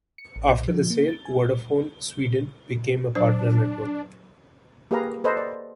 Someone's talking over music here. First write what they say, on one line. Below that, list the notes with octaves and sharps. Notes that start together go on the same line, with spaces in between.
After the sale, Vodafone Sweden became a partner network.
C#7
A1
B1
F3
A#3
A6
G#5
F#3 D4 C5
A#3 G4 G#4 B4 F5 A#5
A4 B4 C5 D#5
D5